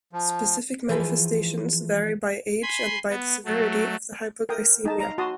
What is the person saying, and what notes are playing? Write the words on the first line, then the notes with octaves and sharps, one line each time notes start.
Specific manifestations vary by age and by the severity of the hypoglycemia.
F3
E3 F3 G#4 B4
G#5 B5 C6
B3
F#3 A3
A#4 G5 D#6
D#4 A5
F5 A#5
F#4 A5 C6 D#6